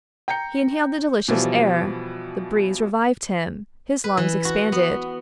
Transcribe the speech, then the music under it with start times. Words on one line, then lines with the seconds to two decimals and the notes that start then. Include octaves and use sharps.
He inhaled the delicious air; the breeze revived him, his lungs expanded!
0.28 G5 A#5 G6 C#7
1.28 B2 E3 F3 G3
4.04 B4
4.17 E3
4.45 F#4
4.72 B3